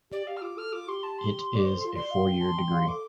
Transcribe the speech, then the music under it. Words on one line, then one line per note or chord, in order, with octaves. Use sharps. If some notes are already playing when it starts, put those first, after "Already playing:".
It is a four-year degree.
G4 D5
G4 F5
F6
F4 D6
A4 F6
F4 D6
G4 C6
A5
C6
D5 D6
C5 C6
A4
C6
F4
D5 C6
F5
G5
A5
G5
F5
A4 D6